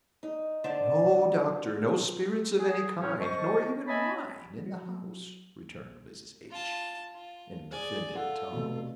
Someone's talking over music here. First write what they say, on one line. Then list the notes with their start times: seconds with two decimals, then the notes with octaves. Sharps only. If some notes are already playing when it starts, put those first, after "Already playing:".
"No, doctor, no spirits of any kind, nor even wine, in the house," returned Mrs. H--, in an offended tone.
0.23 D#4
0.64 D3 C5 D5 A5
2.59 G#4
3.01 D2 A2 C#3 E3 C4 C#4
3.21 C5 D#5 A5 C#6
3.88 C#5 D#5 E5 G#5 A5 B5
4.66 F#3
6.51 F4 A5
7.14 F4
7.71 G#4 D5 G#5
8.15 F4 A4 F#5
8.52 F1 B2